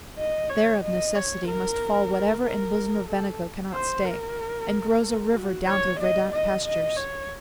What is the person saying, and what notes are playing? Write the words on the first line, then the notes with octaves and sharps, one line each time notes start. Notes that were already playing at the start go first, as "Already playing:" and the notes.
There of necessity must fall whatever In bosom of Benaco cannot stay, And grows a river down through verdant pastures.
D#5
C#5
D#5
C#5
A#4
A#4
A4
C5
A#4
A#4
F#4
C#5
D#5
D#5
D#5
C#5